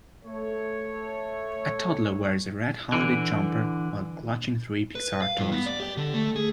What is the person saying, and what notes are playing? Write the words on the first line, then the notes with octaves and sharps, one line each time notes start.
A toddler wears a red holiday jumper while clutching three Pixar toys.
A3 C#5
D3 E3
B4
F5
G2
B3
D5
G4
D3
A3
G#4